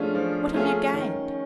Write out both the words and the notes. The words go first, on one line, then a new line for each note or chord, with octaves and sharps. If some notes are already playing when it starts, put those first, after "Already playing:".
What have you gained?
Already playing: F3 A3 C#4 D4 F4 G#4
F3
A3 C#4 F4 G#4
D#3 C#4